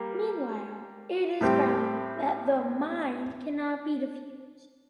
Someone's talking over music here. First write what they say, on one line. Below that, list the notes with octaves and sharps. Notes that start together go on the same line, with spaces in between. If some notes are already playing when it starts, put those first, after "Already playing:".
Meanwhile, it is found that the mine cannot be defused.
Already playing: G3 A#3
A2 G3 C4 G4